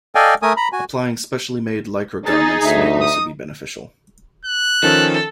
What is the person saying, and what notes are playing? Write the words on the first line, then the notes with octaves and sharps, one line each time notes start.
Applying specially made Lycra garments may also be beneficial.
A4 D5 D#5 F5 G5 G#5
A3 A#4 G#5 D#6
A#5 B5
F#4 G#5
D#4 G#4 A6
D2 E5
D#6
F#6
D#3 F3 C#4 A4